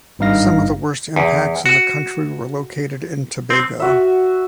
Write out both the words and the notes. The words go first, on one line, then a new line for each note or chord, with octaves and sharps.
Some of the worst impacts in the country were located in Tobago.
G#1 G2 D#4 F5 A#6
E2
F#4
C4
F#4 E5